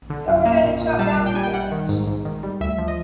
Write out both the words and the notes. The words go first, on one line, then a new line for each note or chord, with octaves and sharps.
Go ahead and chop down your forests.
D3
F#2
A#3
A#2
A#2
G3 A5
A#2
G5
G3 G#5
G5
G3 F#5
D#3
G#2
G#2
D#3
G3
D2 E5
F3
D#5